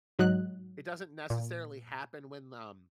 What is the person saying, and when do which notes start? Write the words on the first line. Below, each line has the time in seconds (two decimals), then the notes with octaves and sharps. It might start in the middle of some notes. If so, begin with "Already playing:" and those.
It doesn't necessarily happen when, um,
0.19 G#2 F#3 D#5 F#6
1.30 A#2